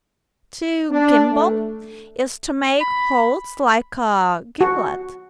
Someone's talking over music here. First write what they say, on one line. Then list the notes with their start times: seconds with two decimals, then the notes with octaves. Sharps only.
To "GIMBLE" is to make holes like a gimlet.'
0.91 D4
1.32 A3
2.81 B5
4.61 F#4